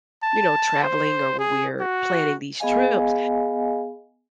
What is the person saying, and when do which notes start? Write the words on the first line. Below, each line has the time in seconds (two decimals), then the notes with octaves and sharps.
you know, traveling or when we are planning these trips,
0.23 A5
0.83 C5
1.39 G#4
1.81 F#4
2.60 B3 G#4 D#5 F5 G#5